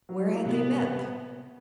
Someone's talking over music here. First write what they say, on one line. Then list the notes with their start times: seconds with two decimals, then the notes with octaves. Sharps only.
Where had they met?
0.09 F#3
0.28 E4
0.45 C3 B3
0.63 G3
0.80 C3